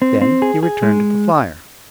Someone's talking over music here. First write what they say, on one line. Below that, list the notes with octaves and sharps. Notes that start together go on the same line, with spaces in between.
Then he returned to the flier.
C4
C4
G#4
G#4
G#3